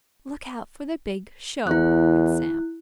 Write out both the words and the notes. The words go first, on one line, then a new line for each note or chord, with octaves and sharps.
"Look out for the big show," read Sam.
E2 E4 F#6